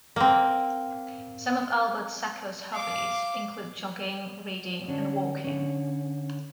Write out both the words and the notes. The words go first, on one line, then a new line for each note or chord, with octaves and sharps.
Some of Albert Sacco's hobbies include jogging, reading, and walking.
A#3 C4
F5 D6
D3 C#4 D4
D3 C#4